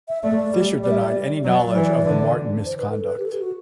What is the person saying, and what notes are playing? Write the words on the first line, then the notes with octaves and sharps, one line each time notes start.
Fisher denied any knowledge of the Martin misconduct.
E5
A3 D5
G3
G3 D5
E5
D5
F#3 D5
E3
D3
C5
B4
A4
B4
G4
A4
G4
F#4